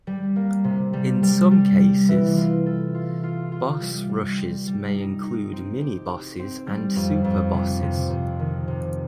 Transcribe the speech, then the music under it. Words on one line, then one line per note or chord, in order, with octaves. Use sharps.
In some cases, boss rushes may include minibosses and superbosses.
G3
A#3
C3
G3
G3
G3
G3
E3
F4
A4
F4
F4
F4
G3
G3
G3
G3
D#4
D#4
C4
G4
G4
C4
G3
F2
F2
C3
C3
F2
D#3
C3